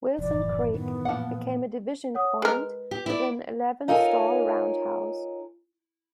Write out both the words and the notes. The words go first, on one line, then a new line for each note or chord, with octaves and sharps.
Wilson Creek became a division point with an eleven stall roundhouse.
F1 F#2 A2 E3 D5
D#3 B3
A#2 F3 F#5
C#5 F#5 D#6
G#3 A#4 B4
G4
E4 D5
D#4 F4 A4 A#4 C#5 G#5